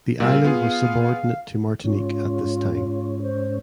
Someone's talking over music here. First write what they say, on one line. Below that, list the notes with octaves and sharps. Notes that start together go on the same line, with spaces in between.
The island was subordinate to Martinique at this time.
A#2 G3 F5 E6
B3 F4 G#4
G#2 C#4 F4
C5